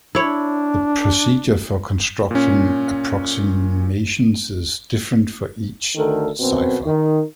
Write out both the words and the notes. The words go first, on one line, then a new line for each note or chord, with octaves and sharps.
The procedure for constructing approximations is different for each cipher.
D4 E4 C#5
A#2 C#4
D2 D#3 A4 A#4
F#2 B2 C4
D#3